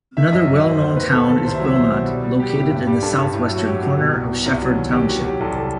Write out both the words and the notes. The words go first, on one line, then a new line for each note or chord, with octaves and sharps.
Another well known town is Bromont, located in the southwestern corner of Shefford Township.
D#3 E5
E5
F#2 D#5
F#2
F#2 D#5
C5
D#2 C5
D#3 B4
D#2 A4
D#2 A4
C2 C5
E5
F#3
E5
F#3 C5
B2
G3
G3
G3 G4
G4
A2
G4
G2
G3 G4
G2 A4
G2
A2
F#3
F#4
F#3 G4
F#3
B2
C2
B2
C2
F#3
D#2
D#3 G4
D#2 F#4
F#3 G4
C2 A4
A4